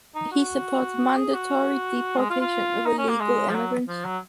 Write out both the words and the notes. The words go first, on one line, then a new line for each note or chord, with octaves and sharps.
He supports mandatory deportation of illegal immigrants.
D#4
F#4
G#4
F#4
G#3
F4
F4
D#4
C#4
A#3
G#3
F3
F#3
F3
F#3